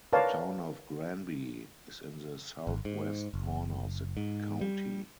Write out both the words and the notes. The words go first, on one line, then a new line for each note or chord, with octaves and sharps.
The Town of Granby is in the southwest corner of the county.
A#4 B4 C#5 D5 F5 A5
G#1
G#2
F#1
G#2
G3